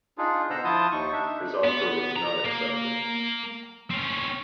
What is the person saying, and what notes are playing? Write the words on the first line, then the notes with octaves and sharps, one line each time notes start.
His offer was not accepted.
D4 D#4 F4 G#4
B2 D3 C5 F#5 A#5 E6
F3 E4 F4 A5 D#6 G6
D#2 D#4 C#6
D4 D#4 E5
B3
A#5
A#3
C4 C#4